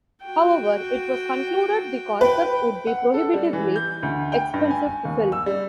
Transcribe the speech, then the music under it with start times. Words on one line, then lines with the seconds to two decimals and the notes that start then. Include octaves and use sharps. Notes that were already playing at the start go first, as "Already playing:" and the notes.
However, it was concluded the concept would be prohibitively expensive to film.
0.23 F#4 G5
2.21 B4 G5
2.87 F#5
3.14 A4
3.34 G3
3.53 E3
3.76 G6
4.03 D2
4.32 G5
4.54 G2
4.71 G#5
5.05 D#2
5.32 E6
5.46 G3